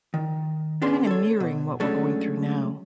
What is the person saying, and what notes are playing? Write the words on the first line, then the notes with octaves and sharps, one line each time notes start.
kinda mirroring what we're going through now,
D#3
B3 C#4 D4 G#4 C6
A4 C#5
B2
F#3 G#3 A3 C#4 D4 A4